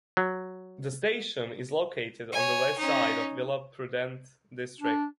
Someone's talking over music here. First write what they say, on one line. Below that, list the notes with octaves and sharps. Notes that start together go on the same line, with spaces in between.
The station is located on the west side of Vila Prudente district.
F#3
C#5 G#5
C#4 D#4
D4